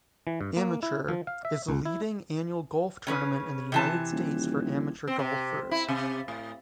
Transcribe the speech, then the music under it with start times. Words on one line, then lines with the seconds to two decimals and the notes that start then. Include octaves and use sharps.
Amateur, is the leading annual golf tournament in the United States for amateur golfers.
0.27 E3
0.41 G2
0.57 A#3
0.83 E4
1.08 F3
1.27 F5
1.45 E5
1.68 C#2
1.85 E4
3.07 C#3 C#4 B4
3.72 C3 E3 A5
4.11 D#1
5.07 C4
5.19 C3
5.71 E4
5.88 C3
6.28 A2